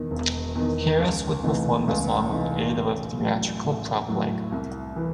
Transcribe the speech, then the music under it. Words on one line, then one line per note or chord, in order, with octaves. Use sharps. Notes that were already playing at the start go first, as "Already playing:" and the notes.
Harris would perform the song with the aid of a theatrical prop leg.
Already playing: E1 E2 D#3
E1
E2 D#3
C#2
C3 E3 A3 D#4
C#2
C3 E3 A3 D#4
A1
A2 F#3
A1
A2 F#3
C2
E3